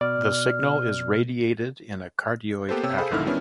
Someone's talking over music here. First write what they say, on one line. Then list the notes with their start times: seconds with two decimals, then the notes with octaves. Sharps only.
The signal is radiated in a cardioid pattern.
0.01 B2 D5 F6
2.69 A#3 B3 G4 A4 B4 C5
2.83 C3 C#5 G5 E6
2.98 G#4 A4 C5 F5 B5
3.11 B1 G#2 D3 D#3 E4 F6
3.26 D#3 G3 B3 C#4 D4 E4